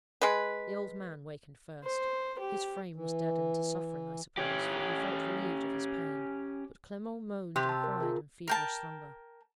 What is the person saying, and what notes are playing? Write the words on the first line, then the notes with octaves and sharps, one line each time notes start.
The old man wakened first. His frame was deadened to suffering, I suppose, for he felt relieved of his pain; but Clement moaned and cried in feverish slumber.
G#3 B4
C5
G4
E3
C#4 G4
C3 G4 C6
A5 E6
A#4
F4 G#4 A#4
A#4 G5 A5